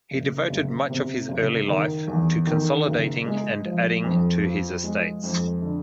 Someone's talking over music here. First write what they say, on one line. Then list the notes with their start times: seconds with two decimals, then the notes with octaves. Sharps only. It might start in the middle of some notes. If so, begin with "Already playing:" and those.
He devoted much of his early life to consolidating and adding to his estates.
0.11 F#1
0.50 F#1
0.90 C3
1.29 F#1
1.68 D#3
2.08 E2
2.47 D#3
2.87 F#1
3.26 G#3
3.65 F3
4.04 F2
4.44 F3
4.84 G#3
5.23 F2
5.62 D3